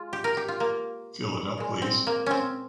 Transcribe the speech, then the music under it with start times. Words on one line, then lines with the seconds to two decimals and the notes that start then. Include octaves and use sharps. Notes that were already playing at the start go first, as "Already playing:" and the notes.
Fill it up, please.
Already playing: G#3 F4
0.13 G4
0.24 A#4
0.37 G4
0.48 F4
0.60 A#3
1.58 A#2 G#3
1.82 C4
2.07 A#3
2.26 C4 C#4